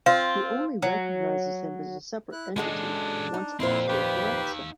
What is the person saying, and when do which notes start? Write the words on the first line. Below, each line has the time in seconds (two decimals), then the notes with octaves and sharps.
He only recognizes him as a separate entity once Astro corrects him.
0.06 C4 F4 F5
0.82 F#3
2.32 E4 F#6
2.56 G#3 C#4 D4 F#4 G#4 A4
3.34 D#4
3.60 F2 A#2 C4 E4 F4 C5 C6
3.88 D#4 G4 B4 F5